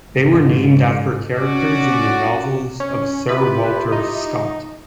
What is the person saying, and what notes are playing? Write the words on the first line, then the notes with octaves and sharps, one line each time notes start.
They were named after characters in the novels of Sir Walter Scott.
G#2
C#4 F#4 D5
C#4
E4 F4 G4 B4
D#4